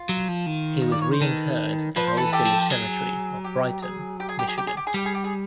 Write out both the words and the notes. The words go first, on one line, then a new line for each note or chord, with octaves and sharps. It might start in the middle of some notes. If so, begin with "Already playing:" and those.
He was reinterred at Old Village Cemetery of Brighton, Michigan.
Already playing: F4
F#3
F3
D#3
D#5
D5
C#5
C5
D#3 A4 B4
F3 B4
C5
E3 A4 B4
G4 A4
F3
A4
F#3 G#4
G4
G#4
G4
G#4
G4
G#4
G4
G#4
G4
G#4
G3 G4
G#4
G4
G#4